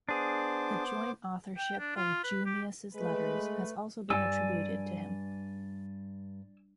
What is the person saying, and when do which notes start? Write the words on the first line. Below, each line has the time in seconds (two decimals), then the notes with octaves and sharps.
The joint authorship of "Junius's Letters" has also been attributed to him.
0.09 B3 D4 G#4 C5 D6
1.58 G5
1.79 D4
1.96 F4
2.24 B4
2.45 G4
2.95 G#3 A3 B4
4.10 G2 G3 D5 G#5 E6